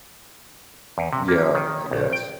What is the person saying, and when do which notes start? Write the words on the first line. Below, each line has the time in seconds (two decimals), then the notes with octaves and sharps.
Yeah, I guess.
0.98 E2
1.13 C3
1.28 A#3
1.55 D#3
1.91 A#1
2.13 G5